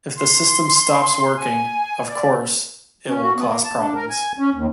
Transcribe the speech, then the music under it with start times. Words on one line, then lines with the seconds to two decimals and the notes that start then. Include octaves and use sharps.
If the system stops working, of course, it will cause problems.
0.18 C6
1.36 G#5
2.09 D5
3.08 C#4
3.22 F#4
3.35 B3
3.47 A#3
3.64 A5
3.79 D4
3.95 A#4
4.09 G#5
4.39 C#4
4.55 D#2